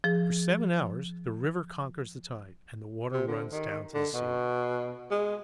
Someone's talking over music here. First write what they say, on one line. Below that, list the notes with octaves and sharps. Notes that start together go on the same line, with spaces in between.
For seven hours the river conquers the tide, and the water runs down to sea.
F3 G#4
C3
D3
D#3
D3
B2
G#3